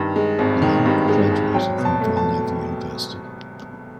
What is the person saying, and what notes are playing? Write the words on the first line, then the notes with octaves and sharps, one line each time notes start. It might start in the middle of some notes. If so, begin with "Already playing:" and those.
He then graduated from Villanova University.
Already playing: G2 D#3
G#3
G#1
D#3
G2
G#3
G#1
F#3 G5
B2
A5
A3
A5